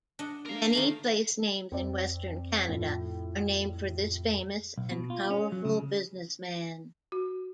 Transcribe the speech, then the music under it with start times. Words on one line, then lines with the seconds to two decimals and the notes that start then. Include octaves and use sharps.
Many placenames in Western Canada are named for this famous and powerful businessman.
0.19 D4 D#5 F#5
0.46 A#4 F5
0.73 D#3 A3 A#3
1.72 F2 C4 D5
2.68 A2 F3
4.78 B1
4.91 B2
5.10 F4
5.30 C#4
5.52 F#3
5.65 C#3
7.12 F#4